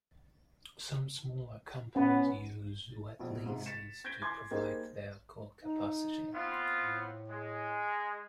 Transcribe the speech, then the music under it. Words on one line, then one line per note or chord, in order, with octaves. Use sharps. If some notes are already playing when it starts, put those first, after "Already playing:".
Some smaller companies use wet leases to provide their core capacity.
B3 C#4
A#1 B2
G#2 C3
A6 B6 C#7 E7
G6 G#6 A#6 B6 D7 G7
G#5 C6 D6 G#6
G3 A#3 D#4 G4 G#4 C5
D#4
B3 C4 F4
A2
G#3